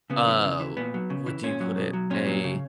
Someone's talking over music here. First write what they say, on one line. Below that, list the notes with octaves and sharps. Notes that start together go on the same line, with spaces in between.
uh, what do you put it? A
C#3 B3
E3
C#3
E3
A#2 B3
F#3
C#3
E3
A#2 C#4
F#3
B2
F#3
A#2 C#4
F#3
C#3